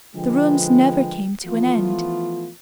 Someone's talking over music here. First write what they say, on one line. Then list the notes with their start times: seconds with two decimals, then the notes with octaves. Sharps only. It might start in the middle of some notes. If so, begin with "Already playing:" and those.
The rooms never came to an end.
0.16 D3 F3 G#3 B4 G5
1.45 E3 F3 A3 B3 F4